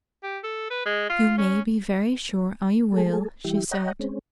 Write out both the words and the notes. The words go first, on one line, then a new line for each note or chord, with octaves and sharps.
"You may be very sure I will," she said.
G4
A4
B4
G#3
F4
C#4
G#3 A3 G#4 A4
E3 G3 E4 G4
C#5 D#5 F#5 G5 A#5
G#3 C4 C#4